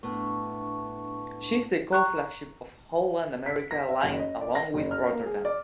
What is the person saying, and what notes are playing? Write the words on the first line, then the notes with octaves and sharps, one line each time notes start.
She is the co-flagship of Holland America Line along with "Rotterdam".
A2 B3 D4 A5 C#6
A#5 C#6 F#6
B6
A#6
E5
F#1
D#5
D5
A#6
F#1
F6
A#3
G#4
D5